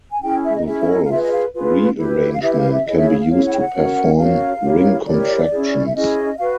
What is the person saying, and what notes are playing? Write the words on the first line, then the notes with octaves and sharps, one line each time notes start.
The Wolff rearrangement can be used to perform ring contractions.
G#5
C#4 E4 G#4 G5
E5
D#5
C#4 E4 G#4 E5
E5
D#5
F5
F4 G#4 B4 E5
D#5
F5
F4 G#4 B4
E4 G4 B4
F5
E4 G4 B4 E5
E5
F5
E5
E4 G#4 C#5 D#5
E5
F5
F5
E4 G#4 C#5 F5
F#5
G5
F#5
C#4 F#4 A#4 C#5
C#4 F#4 A#4 C#5 F5
E4 G4 A#4 C#5
E4 G4 A#4 C#5 D5
D5
D5
C#4 E4 G#4
E5
C#4 E4 G#4 D#5
F#4 B4 F5